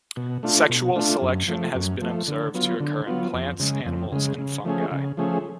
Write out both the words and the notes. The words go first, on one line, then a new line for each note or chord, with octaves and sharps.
Sexual selection has been observed to occur in plants, animals and fungi.
B2
A3 D4 F4
B2
A3 D4 F4
F#2
F3 A3
F#2
F3 A3
D3
F#3 B3 F4
D3
F#3 B3 F4
F2
C#3 G#3
F2
C#3 G#3
C#3
F3 A3 C#4 G#4
C#3
F3 A3 C#4 G#4